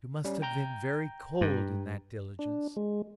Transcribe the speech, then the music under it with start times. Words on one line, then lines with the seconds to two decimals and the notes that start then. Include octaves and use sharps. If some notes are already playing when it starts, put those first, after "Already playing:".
You must have been very cold in that diligence!
0.25 G3 C#4
0.42 G5 A#5 G6
1.41 G2
2.39 D4
2.76 G#3